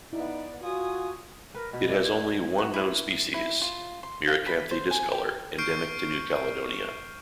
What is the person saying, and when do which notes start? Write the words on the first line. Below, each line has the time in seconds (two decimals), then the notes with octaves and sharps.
It has only one known species, "Myricanthe discolor", endemic to New Caledonia.
0.13 B3 D#4 E4 D5
0.62 F4 F#4 G#5 D#6
1.54 A#4 B4
1.73 B2 B5
1.89 D4 C5 D#5 E5
2.04 G#6
2.58 F#4
2.74 E4
3.34 E4
3.62 F4
4.03 C6
4.28 F5
4.46 B5
4.71 C5
4.91 G#5
5.12 G4
5.58 C#6 F6 G6 C7 D7